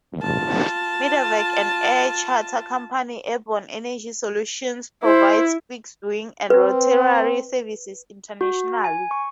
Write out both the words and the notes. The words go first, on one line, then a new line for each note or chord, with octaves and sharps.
Medevac and air charter company Airborne Energy Solutions provides fixed-wing and rotary services internationally.
F4 A5
E4 C5
C4 B4
F#4
G#5
C#6